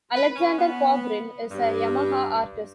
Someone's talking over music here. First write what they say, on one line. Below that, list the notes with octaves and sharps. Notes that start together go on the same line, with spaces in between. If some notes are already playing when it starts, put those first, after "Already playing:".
Alexander Kobrin is a Yamaha Artist.
B4
C#4
B3
G2